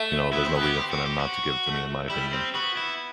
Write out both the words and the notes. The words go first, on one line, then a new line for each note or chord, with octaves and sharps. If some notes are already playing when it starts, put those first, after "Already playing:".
you know, there's no reason for them not to give it to me in my opinion.
Already playing: A3
B3 E4
C4
B3
G4
C4
F#4
G4
F#4
A3
G3 E4
C4
B3 F#4
E4